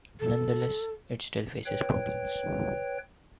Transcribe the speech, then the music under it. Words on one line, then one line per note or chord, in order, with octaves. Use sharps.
Nonetheless, it still faces problems.
A4
B4 C#5 G5